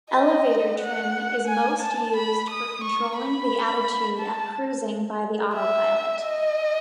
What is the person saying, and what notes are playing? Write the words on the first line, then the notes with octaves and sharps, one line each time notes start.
Elevator trim is most used for controlling the attitude at cruising by the autopilot.
D#5
F#5
G#5
A5
B5
D#6
C#6
B5
A5
E5
D#5